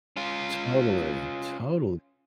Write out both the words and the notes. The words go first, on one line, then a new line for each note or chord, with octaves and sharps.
Totally, total
C#4 F4